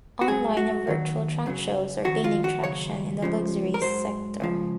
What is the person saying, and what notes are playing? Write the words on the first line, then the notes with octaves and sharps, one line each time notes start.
Online or virtual trunk shows are gaining traction in the luxury sector.
F#4
G#2 F#3 G#4
F#4
D#2 D#3 F#3
F#2 C#3 F#3
F2 D#3 F#3 F#4
F4
F#4
D#2 C#3 F#3 C#5
C#2 C#3 F3
A#4
G#2 F#3 C5
C#2 C#3 F3